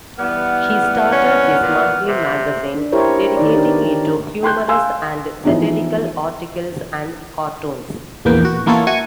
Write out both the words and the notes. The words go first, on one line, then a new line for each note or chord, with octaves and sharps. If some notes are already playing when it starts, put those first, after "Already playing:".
He started this monthly magazine, dedicating it to humorous and satirical articles and cartoons.
E3 G3 B3 F#5 F6
C#4
A#2
C3
D4
E4 G4 A#4 C5 C#5
D#3 D#4 D5
D4 G4 A#4
G5 C6 F#6 G6
F5 G#5 C6 E6
E3 F3 B3 D#4
A#1 E2 A#3 B3 B4 G5
F#4
E3 A#3 B3 F4 A4 C#5
E4 F#4 G#5 C#6